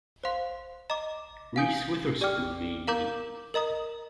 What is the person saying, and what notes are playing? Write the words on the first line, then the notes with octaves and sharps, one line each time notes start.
Reese Witherspoon made me.
C5 F5 C6
D#5 A#5 D6
F5 G#5 D#6 G6
G4 D5 G5 D6 F6
A#4 F5 A#5 D6 G6
A#4 D#5 A#5 D#6